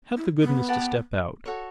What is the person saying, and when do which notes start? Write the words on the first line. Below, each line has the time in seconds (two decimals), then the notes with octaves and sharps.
'Have the goodness to step out.'
0.17 E4
0.42 B3
0.68 G4 B4 F#5 A5
1.45 F#4 A4 C#5